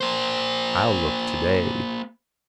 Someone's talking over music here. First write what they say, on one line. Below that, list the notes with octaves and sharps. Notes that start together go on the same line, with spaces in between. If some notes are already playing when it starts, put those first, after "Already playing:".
I'll look today.
A#3 C5